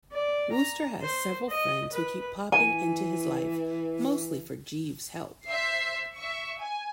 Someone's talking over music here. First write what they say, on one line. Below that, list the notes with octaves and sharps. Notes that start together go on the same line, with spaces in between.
Wooster has several friends who keep popping into his life, mostly for Jeeves' help.
D5
A#5
C5
D#5
B4
E3 G#5
C5 E5 C7
E5 C#6
G#5